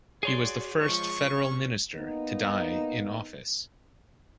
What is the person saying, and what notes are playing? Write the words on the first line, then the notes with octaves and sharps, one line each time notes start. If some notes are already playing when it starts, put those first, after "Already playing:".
He was the first federal Minister to die in office.
F#4 G#4 C#5 D5 C6
F3 G#3 C#6
C#4
A#3 B3 D#4